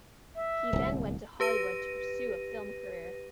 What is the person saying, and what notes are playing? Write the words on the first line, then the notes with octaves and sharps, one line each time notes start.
He then went to Hollywood to pursue a film career.
E5
D1 C2
G4 B4 A#6 D#7